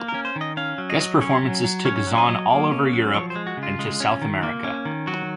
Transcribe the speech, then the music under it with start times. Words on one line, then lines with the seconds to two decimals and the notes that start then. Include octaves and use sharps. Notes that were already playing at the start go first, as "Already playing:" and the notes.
Guest performances took Zaun all over Europe and to South America.
Already playing: A#3
0.08 A#4
0.14 C#4
0.25 C5
0.36 D#3
0.41 D#5
0.57 C#4 F5
0.78 F#3
0.90 D#5
1.00 F#3
1.21 C#4 C#5
1.43 F#3
1.64 F#3
1.85 C#4 C#5
2.07 F#3
2.18 D#5
2.28 F#3
2.50 A#3
2.71 C#4
2.93 F#3
3.14 F3 C#5
3.30 C5
3.35 G#3
3.47 F#4
3.57 C#3
3.63 F4
3.79 G#3
4.00 C#4
4.22 D#3
4.43 A#3
4.64 C#4
4.85 D#3
5.07 F#3 F#4